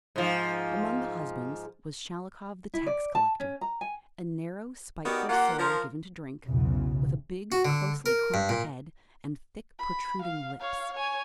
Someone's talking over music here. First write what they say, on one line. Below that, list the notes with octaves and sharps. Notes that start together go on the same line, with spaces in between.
Among the husbands was Shalikov, the tax-collector--a narrow, spiteful soul, given to drink, with a big, closely cropped head, and thick, protruding lips.
G#2 F3
E4
D5
A5
C#4
A#5
G#5
B3 D#4 F#4 G4 A#4 D5
A#3 F4 G4 F#5
F3 A#4
B1 E2 C#3
F#4
D3
A#4
G2
A#2
B5
F5
C#5 F5
C#5 G#5